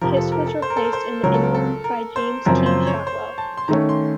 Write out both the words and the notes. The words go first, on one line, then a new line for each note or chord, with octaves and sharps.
Hiss was replaced in the interim by James T. Shotwell.
F2 C3 F3 A#4
A4
A#4
A4
C5
A#4
A4
A#4
C5
C#2 C#3 F#3 A#4
A4
A#4
A4
A#4
C5
F#2 C#3 F3 C4 A#4
C5
C#5
C5
A5
C6
D#3 A3 C#4 A#5
C6